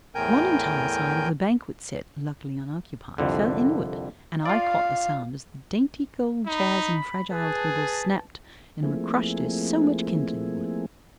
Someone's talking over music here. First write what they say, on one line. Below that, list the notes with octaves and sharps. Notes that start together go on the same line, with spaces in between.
One entire side of the banquet set, luckily unoccupied, fell inward and I caught the sound as the dainty gold chairs and fragile tables snapped and were crushed as so much kindling wood.
E2 A2 A#4 G5 G#5 G6
C2 F2 D3
F4 D5 F5
D#4 B5
G#4 B4 A5
F3 A3 A#3 C4 E4 G#4